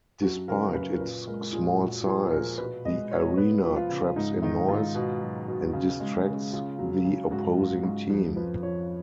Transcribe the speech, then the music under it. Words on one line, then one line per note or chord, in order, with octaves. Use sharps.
Despite its small size, the arena traps in noise, and distracts the opposing team.
F#2 F#4
C#3 A#4
F#2 B4
A#4
A#2 B4
G#3 A#4
A#2 G#4
A#2 F#4
F3 G#4
A#2 A#4
B2 B4
G#3 D#5
B2 C#5
B3 B4
F3
F4
C#3
G#2 D#4
D#3 D#4
G#2 F4
B2
F#3
B2
C#3
G#3
C#3
C#3 F4
F#3
C#3
G#2 F#4
F#3 F4
G#2 F#4
F2
F3 B4
F2 C#5